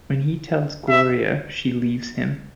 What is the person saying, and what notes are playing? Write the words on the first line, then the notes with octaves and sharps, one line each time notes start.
When he tells Gloria, she leaves him.
E5